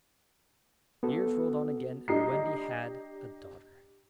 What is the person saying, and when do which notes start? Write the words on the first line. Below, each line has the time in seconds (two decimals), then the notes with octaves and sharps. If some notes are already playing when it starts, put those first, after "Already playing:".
Years rolled on again, and Wendy had a daughter.
1.03 B3 F#4 A4
2.08 D4 G4 D#5 A#5 C7